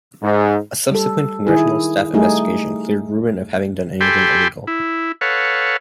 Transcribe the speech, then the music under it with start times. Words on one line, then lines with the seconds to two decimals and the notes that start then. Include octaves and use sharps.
A subsequent congressional staff investigation cleared Rubin of having done anything illegal.
0.23 G#2
0.91 G3 A4
1.47 D#3 E4 G#4
2.14 G3 A3 D#4 G#4
4.01 G4 A4 G5 G#5 B5 C6
4.67 E4
5.21 A4 B4 C#5 F5 F#5